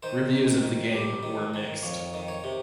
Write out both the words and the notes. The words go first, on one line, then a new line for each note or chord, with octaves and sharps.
Reviews of the game were mixed.
D#3 C5
D#3
D#3
G3
D#3
D#3
F2 C#5
D#3
C#5
C3